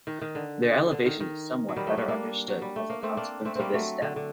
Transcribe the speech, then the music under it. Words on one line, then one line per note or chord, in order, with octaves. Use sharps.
Their elevation is somewhat better understood as a consequence of this step.
D#3
D#3
D3
D3
D#3
D#3
F#3
D#3 G3
F#3 A3
G3 A#3
A#3 D4
F#3
G3
A3
A#3
A3 C4
A#3 D4
A3 C4
G3 A#3 C4
F#3 A3
D3
D3